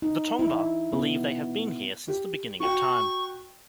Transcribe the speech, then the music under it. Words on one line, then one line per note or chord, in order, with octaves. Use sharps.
The Tongva believe they have been here since the beginning of time.
D#4
E4
B3
G4
F#4 G5 C#6